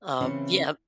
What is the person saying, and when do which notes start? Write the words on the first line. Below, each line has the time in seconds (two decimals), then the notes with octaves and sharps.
Um, yeah
0.20 C#3 E3 C4 C#4